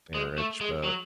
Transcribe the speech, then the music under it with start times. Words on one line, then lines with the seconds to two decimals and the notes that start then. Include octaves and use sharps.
marriage, but
0.14 G#3
0.38 A3
0.61 G#3
0.84 F#3